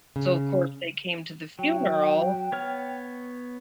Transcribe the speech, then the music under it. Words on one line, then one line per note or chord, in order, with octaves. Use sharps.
so of course they came to the funeral
C#3
F#3 G5
B3 C#5 F6